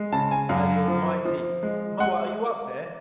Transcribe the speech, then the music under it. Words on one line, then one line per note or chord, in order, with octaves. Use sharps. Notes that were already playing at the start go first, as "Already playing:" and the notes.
By the Almighty, Moa, are you up there?
Already playing: G#3
C#3 A5
G#5
F#2 F5
F3
F3
G#3
G#3 F#5